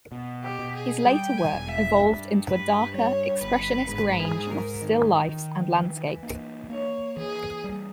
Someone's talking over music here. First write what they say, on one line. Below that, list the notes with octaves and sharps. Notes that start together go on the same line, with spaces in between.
His later work evolved into a darker, Expressionist range of still lifes and landscapes.
B2
G4
B2
G#4
G3 G5
G#5
E1
E5
G2
G2 B4
G3 C#5
G1 B4
G#2 B4
G#4
G#2
A#4
D#3
D#3
E3
A#3
A#3 C#5
E3 G#4
G3